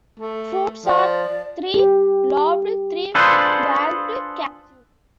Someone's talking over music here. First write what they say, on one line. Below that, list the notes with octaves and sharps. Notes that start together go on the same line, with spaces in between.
Fruits are three-lobed, three-valved capsules.
A3
F3 D5
G4
D4 F4 G#4 A4 B4 C5